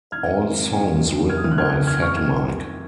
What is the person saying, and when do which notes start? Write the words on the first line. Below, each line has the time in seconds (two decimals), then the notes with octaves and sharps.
All songs written by Fat Mike.
0.12 F#1 F6 G#6
0.41 F2 D#3
0.71 F#1
1.00 F2 D#3
1.29 F#1 F6 G#6
1.37 D#6
1.44 F6
1.51 F#6
1.58 F2 D#3 F6 G#6
1.87 F#1 F6 G#6
2.02 C#6 F6
2.17 F2 D#3 F6 G#6